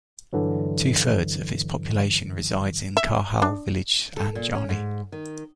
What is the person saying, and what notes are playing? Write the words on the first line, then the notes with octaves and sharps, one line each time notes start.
Two-thirds of its population resides in Karhal village anjani.
G2 D3 E3 F#3
E5
D4
A4
A#2
C#4
G#2
D#3